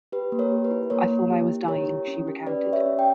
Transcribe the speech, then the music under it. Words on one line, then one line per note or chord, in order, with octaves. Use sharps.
"I thought I was dying," she recounted.
G4 B4
A#3
A#4 C#5
G4
B4
E4
A#3 A#4 C#5
A#3
G4
E4
G4 A#4 C#5
E4
C#4
G4
C#4 B4 D5
G4
C#5 E5
C#4
G5